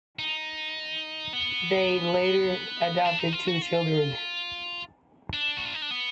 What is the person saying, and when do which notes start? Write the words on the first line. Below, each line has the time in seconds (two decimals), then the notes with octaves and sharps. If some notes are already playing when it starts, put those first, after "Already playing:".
They later adopted two children.
0.19 D#4
1.33 B3
3.05 D4
3.19 D#4
3.33 F4
3.48 F#4
3.62 F4
5.33 D4
5.57 F#4
5.65 F4
5.74 D#4
5.82 D4
5.91 B3